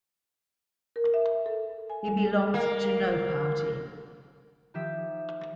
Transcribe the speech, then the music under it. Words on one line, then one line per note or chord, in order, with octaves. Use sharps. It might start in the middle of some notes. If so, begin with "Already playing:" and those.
He belonged to no party.
A#4
E5
A4
G#5
G3
A#3
D#3 F3 G4 E5 B6